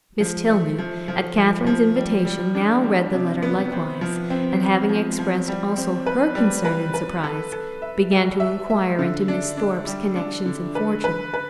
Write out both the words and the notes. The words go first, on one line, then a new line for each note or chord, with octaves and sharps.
Miss Tilney, at Catherine's invitation, now read the letter likewise, and, having expressed also her concern and surprise, began to inquire into Miss Thorpe's connections and fortune.
F3
A3
F3
F3
F3
F3
G3
G3
D4
G3
C3
B3
C4
F3
C4
C4
F3
F3
G3
C4
B4
G3
B4
B4
A4
A4
E5
G3
E5
E5
D3
D4
D4
G3
D4
D3
B4
B4
B4